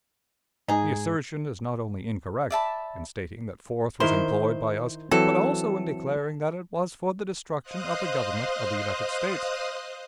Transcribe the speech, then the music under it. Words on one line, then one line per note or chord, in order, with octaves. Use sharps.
The assertion is not only incorrect, in stating that force was employed by us, but also in declaring that it was for the destruction of the Government of the United States.
G#2 G#3 D#4 G#4
D5 E5 A5 B5
D#3 E4 A#4 C5
E3 F#3 C4 A4
C5 D#5 F5 C6 D#6 F#6